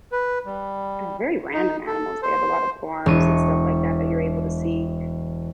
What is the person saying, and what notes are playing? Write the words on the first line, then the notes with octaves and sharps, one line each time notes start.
uh, very random animals. They have a lot of farms and stuff like that, that you're able to see,
B4
G3
D#4
A4
C5
E1 C#6 D#7